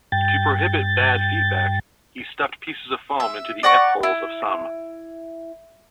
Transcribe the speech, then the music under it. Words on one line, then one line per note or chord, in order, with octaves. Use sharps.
To prohibit "bad feedback", he stuffed pieces of foam into the F-holes of some.
G2 G5 A6
E5
D5 F#5 A#5 C#6
E4